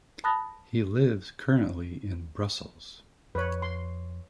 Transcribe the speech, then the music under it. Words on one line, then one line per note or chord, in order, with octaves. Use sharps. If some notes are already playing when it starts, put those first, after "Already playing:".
He lives currently in Brussels.
A5 B5 D#6 F#6 A6 A#6
F2 B4 C#5
C6